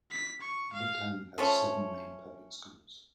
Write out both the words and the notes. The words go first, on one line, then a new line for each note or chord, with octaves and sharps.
The town has seven main public schools.
B6
C#6
F5
F3 A3 C#4